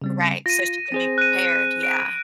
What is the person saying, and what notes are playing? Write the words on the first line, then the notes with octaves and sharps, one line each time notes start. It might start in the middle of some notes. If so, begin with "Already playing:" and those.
Right, so she can be prepared. Yeah.
C#3 G3 C4
F4 A#6 D#7
C4 G#4 C5
F#6 D#7
D7